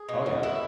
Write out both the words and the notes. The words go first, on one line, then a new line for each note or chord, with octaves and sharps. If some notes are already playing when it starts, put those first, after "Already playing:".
Oh, yeah.
Already playing: G#4
B2
F#3
B2 E4